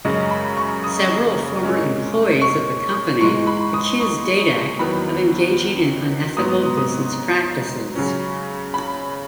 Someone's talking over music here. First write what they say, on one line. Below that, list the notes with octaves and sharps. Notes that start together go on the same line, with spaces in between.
Several former employees of the company accused Dadak of engaging in unethical business practices.
F#2 C#3 G#3 C#4 D#5
B5
C#6
D#6
A#2 G#3 C#4
C#6
G#2 E3 G#3 C#6
B5
D#6
C#6
E2 D#3 F#3 B3 B5
G#2 F#3 B3 D#6
D#6
C#3 F#3 C#4
B5